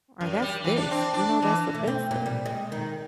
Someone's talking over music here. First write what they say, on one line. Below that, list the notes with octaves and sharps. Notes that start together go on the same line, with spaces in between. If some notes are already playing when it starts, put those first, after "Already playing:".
or "That's this," you know, "That's offensive,"
F#2
G3
E3
D4
C4
D4
E3
A3
C4
A#2
G3
G#3
D#3